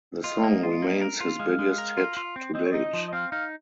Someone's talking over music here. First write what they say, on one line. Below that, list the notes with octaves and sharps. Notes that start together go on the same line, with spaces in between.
The song remains his biggest hit to date.
F4 D#5
A#3
F4
A#3
A#4
F4
G#3 F5
G#3
A#4
F4
F4
C4
C4 D#5
C#5
D#4 D#5
F3
D#5
C4 F5
D#4 F5